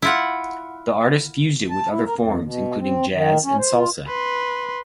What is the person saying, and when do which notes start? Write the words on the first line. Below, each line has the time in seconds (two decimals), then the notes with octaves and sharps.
The artists fused it with other forms, including jazz and salsa.
0.02 E4 F4 F#5
1.70 A5
1.90 E4
2.06 A#4
2.21 F2
2.44 B2
2.78 C4
3.12 D#3
3.44 C#4
3.58 C5
3.73 F4
4.07 B4 C6